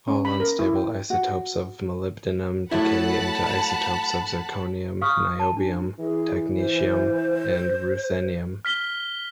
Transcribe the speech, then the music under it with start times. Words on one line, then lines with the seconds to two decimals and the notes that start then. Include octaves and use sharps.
All unstable isotopes of molybdenum decay into isotopes of zirconium, niobium, technetium, and ruthenium.
0.08 C#4
0.25 B5
0.40 A#4
0.59 E4
0.76 G5
1.10 F#4
2.71 F#3 A3 E4 F#5 A5 B5
5.01 F5 C#6 D#6 F6
5.40 A5
5.57 D4
5.99 E3 G#4
6.57 C5
8.65 F6 B6 G7